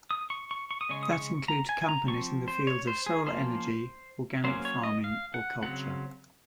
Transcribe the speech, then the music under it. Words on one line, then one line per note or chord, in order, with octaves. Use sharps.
That includes companies in the fields of solar energy, organic farming or culture.
D#6
C#6
C#6
C#6
D#6
C#3 G#3 C#4 C#6
D#6
C#6
A#5
G#5
G#5
A#5
F3 C4 C#6
C5
C#5
C5
G#4
F3 A#3 C#4 C5
F#3 A#3 C#4 C5
C#5
D#5
F5
F#5
C#3 F#3 C4 F#5